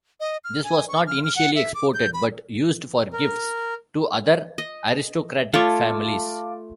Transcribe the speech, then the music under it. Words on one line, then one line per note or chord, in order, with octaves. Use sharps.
This was not initially exported, but used for gifts to other aristocratic families.
D#5
F6
G#5
C#6
F6
F6
F#5
E5
D6
G6
B5
A#4
D#5
A3 F4 C#5 F5 A5 D6